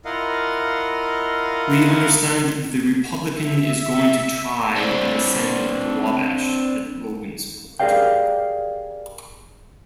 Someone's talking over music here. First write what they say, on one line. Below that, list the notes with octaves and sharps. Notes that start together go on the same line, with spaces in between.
We understand the Republican is going to try and ascend the Wabash at Logansport.
E4 F4 A#4 D#5 F5 F#5
E5
C4 D4
G4 G#4 A#4 D5 F5 G5